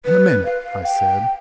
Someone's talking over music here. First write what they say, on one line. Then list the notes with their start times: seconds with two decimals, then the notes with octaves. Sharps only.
"In a minute," I said.
0.05 B4
0.46 F5
0.85 G5